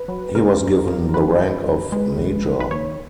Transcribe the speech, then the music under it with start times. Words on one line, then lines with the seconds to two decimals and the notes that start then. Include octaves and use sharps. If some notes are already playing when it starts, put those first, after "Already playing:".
He was given the rank of major.
Already playing: B4
0.08 F#3
0.35 C#3 A#4
0.61 F#2
0.88 F3
1.14 F#2 B4
1.40 F3
1.66 F#2
1.92 G#3
2.18 A#1
2.45 D#3
2.60 B4
2.71 D#2 C#5